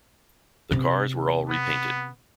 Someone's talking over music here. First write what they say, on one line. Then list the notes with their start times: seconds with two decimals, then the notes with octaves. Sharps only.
The cars were all repainted.
0.71 C3 C4
1.49 B3